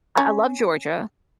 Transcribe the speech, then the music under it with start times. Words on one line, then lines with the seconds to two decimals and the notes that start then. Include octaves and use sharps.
I I love Georgia,
0.17 C#4